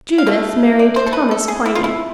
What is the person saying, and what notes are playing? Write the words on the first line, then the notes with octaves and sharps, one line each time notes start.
Judith married Thomas Quiney.
F5
B2 A3 E5
D5
C5
A4
B4
A4
G#4
E4
F4
E4